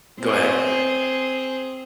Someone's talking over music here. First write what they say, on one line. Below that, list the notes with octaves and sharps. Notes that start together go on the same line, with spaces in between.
go ahead.
C4 G#4